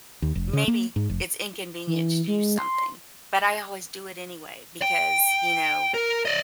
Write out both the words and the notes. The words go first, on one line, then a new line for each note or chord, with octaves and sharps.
maybe it's inconvenient to do something, but I always do it anyway because, you know,
D#2
F1
C#3
A#3
G#2
F1
E3
G#3
C6
G5
A#4
D5 D#5